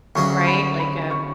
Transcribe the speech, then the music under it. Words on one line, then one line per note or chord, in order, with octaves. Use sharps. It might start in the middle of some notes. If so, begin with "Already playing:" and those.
Right, like a
D2 C#3 F#3 C#6
B5
B5
C#6